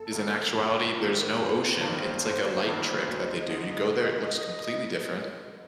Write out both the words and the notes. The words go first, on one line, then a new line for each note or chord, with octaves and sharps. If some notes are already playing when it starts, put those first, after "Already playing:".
is in actuality, there's no ocean, it's like a light trick that they do you go there, it looks completely different.
Already playing: G1 A4
G2 D#3 A#3
G1 A#4
A#4
G2 D#3 A#3
C5
G1 C5
G2 D#3 A#3
G1
G2 D#3 A#3
D2 D#5
D3 G3 C4 D#4